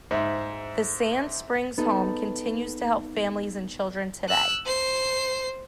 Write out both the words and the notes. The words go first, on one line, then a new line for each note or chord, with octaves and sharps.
The Sand Springs Home continues to help families and children today.
G#2 C5 E5
B3 D#4 A4
E6 F#6
C5 C7